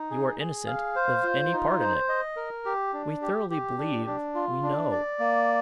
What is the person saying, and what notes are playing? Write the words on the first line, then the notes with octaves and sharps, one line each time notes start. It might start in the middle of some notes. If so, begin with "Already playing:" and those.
'You are innocent of any part in it, we thoroughly believe,--we know.'
Already playing: D#4
G#4
G#4
F5
C5
F4
D#4
C5
D#5
A#4
G4
D4
G4
G4
D4
D4
F4
D4
D5
A#3